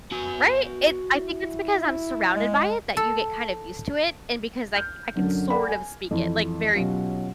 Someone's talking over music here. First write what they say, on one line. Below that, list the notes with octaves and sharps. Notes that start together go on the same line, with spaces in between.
Right? It I think it's because I'm surrounded by it that you get kind of used to it, and because, like, I can sort of speak it, like, very,
B3 F#4 G#5
E4
G#3
A4
F6 G6
F#2 D3 F#3
A4 D5 F#5 G5 B5
G#5
F2 E3
B2 F#3 C#4 F4 G4